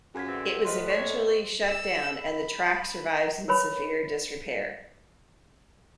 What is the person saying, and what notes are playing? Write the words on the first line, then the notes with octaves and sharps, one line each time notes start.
It was eventually shut down and the track survives in severe disrepair.
F#2 C#3 F3 F4 G#4 G#6 B6
D3 E3 C4
A2 F4 B4 C5 D#5 C6
C#5
E6
B5
A#4 B4 C#5 B5